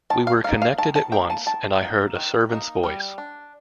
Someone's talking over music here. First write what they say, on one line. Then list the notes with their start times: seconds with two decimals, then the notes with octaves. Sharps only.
We were connected at once, and I heard a servant’s voice.
0.10 D#3 A5
0.27 F5
0.44 A#3 F5
0.48 D#4
0.62 F5
0.78 D#3 A5
0.95 A5
1.12 A#3 D#4 G5
1.30 A5
1.46 D#3 A5
1.81 A#3 D#4
2.15 D#3
2.49 A#3 D#4
2.83 G3
3.18 D4